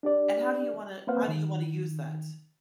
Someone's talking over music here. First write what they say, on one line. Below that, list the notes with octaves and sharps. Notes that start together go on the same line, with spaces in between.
And how do you wanna how do you wanna use that?
D4 G4 D5
A#3 C4 B4 C5 F5 F#5
D#3